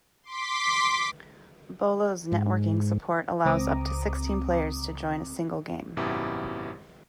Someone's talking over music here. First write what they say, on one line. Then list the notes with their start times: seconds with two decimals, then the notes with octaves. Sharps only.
"Bolo"'s networking support allows up to sixteen players to join a single game.
0.23 C6 D6 B6
2.32 G#2
3.46 C#2 C4 A#5 D6 D#6
5.97 G#1 F#2 B2 E4 G4